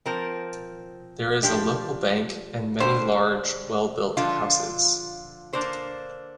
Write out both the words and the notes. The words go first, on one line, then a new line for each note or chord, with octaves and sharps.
There is a local bank, and many large, well-built houses.
F3 C4 A#4
F3 D4 G4
D3 G3 D4 C5
D3 F3 D4 F4
D3 A#3 D4 C5